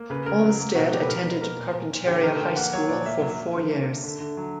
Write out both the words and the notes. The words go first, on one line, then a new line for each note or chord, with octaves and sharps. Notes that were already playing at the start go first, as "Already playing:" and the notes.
Olmstead attended Carpinteria High School for four years.
Already playing: A#3
C#3 B4
C#3 A#4
F#3
A#3
B2 F#4
F#3 G4
B4
B2 A#4
B2 B4
A#3 A#4
A#2
A#2
A#2
D3 G4
D3 A#4
A#3 G5
A#3 F#5
F#3 C#5
A#2 D5
A#3 E5
F#3
E5
F#3
D3
A#3
D3
D3
D3
F#3